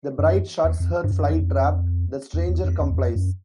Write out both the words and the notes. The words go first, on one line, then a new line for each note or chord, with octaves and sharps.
The bride shuts her fly trap; the stranger complies.
F#2
E2
F2
G2
F#2
E2
F2
E2
E2
F2
E2
E2
F2
F#2